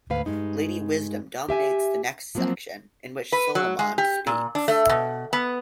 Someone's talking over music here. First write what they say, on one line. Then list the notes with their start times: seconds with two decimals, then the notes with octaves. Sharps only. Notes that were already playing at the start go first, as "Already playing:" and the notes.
Lady Wisdom dominates the next section, in which Solomon speaks.
0.10 D2 G#2 B4 F5
0.26 G2 G#3 D#4
1.49 G4 E5 G#5
2.35 F3 F#3 A#3 C4
3.32 B4
3.55 F#3
3.79 G#3
3.98 G4
4.27 A#2
4.55 D4
4.68 A3
4.89 B2
5.33 B3